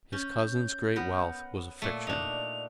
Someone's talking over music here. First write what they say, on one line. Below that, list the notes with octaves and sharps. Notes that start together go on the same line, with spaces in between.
His cousin's great wealth was a fiction.
C#4 G6
B3 A#4
A#2 A3
D4 D#4 F7